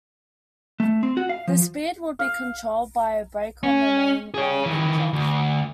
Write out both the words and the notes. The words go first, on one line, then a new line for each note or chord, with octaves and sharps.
The speed would be controlled by a brake on the main winding drum.
A3
C4
F#4
F5
F3
F5
C#4
G#4 C#5
D#3 E3
D2